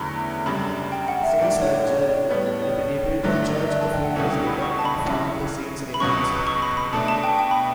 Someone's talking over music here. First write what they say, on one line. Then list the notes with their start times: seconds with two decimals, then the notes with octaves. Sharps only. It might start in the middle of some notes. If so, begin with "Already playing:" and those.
Saint Ludger rebuilt the church a few years later, and found the saint's remains.
Already playing: E2 D3 F#3 A3 C#4 B5
0.46 F#2 C#3 G3 D4 B5
0.92 G5
1.08 F#5
1.23 E5
1.39 A2 G3 D4
1.62 C#5
1.85 C#5
2.08 D5
2.31 A2 G3 B3 D5
2.46 D5
2.62 C#5
3.23 G2 D3 F#3 A3
3.64 E5
3.70 D5
3.81 A5
3.93 G5
4.04 F#5
4.16 C#2 B2 G3 C#4 E4 F#5
4.31 G5
4.47 B5
4.62 C#6
4.79 A5
4.85 B5
5.08 C#3 F#3 C#4 E4
5.94 B5
6.00 C#2 B2 F#3 C#4 C#6
6.47 C#6
6.62 B5
6.77 B5
6.93 B2 A3 D4 A5
7.08 A5
7.24 G5
7.39 G5
7.51 B5